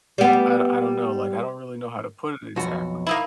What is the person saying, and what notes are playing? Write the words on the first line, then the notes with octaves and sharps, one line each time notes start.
I don't I don't know, like, I don't really know how to put it exactly.
G3 B3
B1 F2 F#4
A#3 D#4 E4